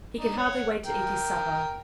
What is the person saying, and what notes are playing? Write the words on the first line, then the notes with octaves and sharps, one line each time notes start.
He could hardly wait to eat his supper.
D4 D#4
C#5 F#5
A#4 G5